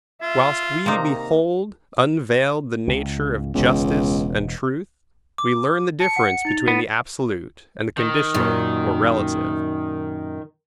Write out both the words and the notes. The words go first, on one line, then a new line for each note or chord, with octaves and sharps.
Whilst we behold unveiled the nature of Justice and Truth, we learn the difference between the absolute and the conditional or relative.
F4 E5
C3 A#3 D#4 C5 A#5
C#2
E1 C#2 B3
D6
A5 C#7
F#5
D#4 A6 F7
B3
D#3
F#2 A#2